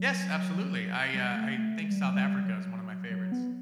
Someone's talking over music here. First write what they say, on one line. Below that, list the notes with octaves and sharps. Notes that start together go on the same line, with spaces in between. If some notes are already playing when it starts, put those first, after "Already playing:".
Yes, absolutely. I, uh, I think South Africa is one of my favorites.
Already playing: F#3
G3
A3
A3
G#3
G3
F#3
G3
F#3
F#3
B3